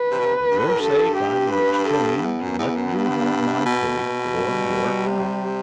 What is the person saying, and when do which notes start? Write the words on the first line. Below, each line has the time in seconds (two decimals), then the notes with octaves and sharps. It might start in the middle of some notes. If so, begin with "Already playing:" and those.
"For your sake, I will exchange, and let you have my pig for your cow."
Already playing: B4
0.11 C3
0.19 B2
0.26 C3
0.51 G2
0.59 A2
0.81 G2 A4
1.17 G4
1.53 B4
1.88 A4
2.23 E2 B3
2.41 F#2
2.59 E2
2.77 F#2
2.95 G2
3.66 B2
4.37 G3
5.07 C3